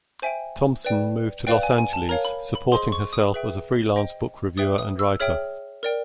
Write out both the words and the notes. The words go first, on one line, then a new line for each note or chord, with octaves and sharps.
Thompson moved to Los Angeles, supporting herself as a freelance book reviewer and writer.
C5 E5 G5 G#5
B4 D5 G5
B4 D5 F5 G5
G#5
G#5
A5
A#4 C#5 F5 A#5
B5
B5
G#4 C5 D#5 C6
C#6
D#6
G#4 B4 E5 G5
C5 D#5 G5
B4 E5 G5 D#6
D#6
E6
G#4 C#5 E5 G5 F6
A#4 D5 G5